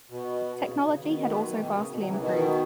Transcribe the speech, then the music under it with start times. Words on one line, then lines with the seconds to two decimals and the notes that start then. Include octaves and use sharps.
Technology had also vastly improved.
0.10 B2
0.61 C#3
0.69 B2
0.85 C#3
1.00 B2 D#3
1.29 A3
1.36 G#3
1.44 F#3
1.52 E3
1.59 B2 D#3
1.73 C#3
1.90 B2
1.98 D#3 F#3
2.09 C#3 E3
2.19 B2 D#3